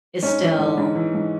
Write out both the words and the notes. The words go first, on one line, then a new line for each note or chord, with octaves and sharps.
is still
G#2 C#4
E3
G#2
G#2
E3
G#2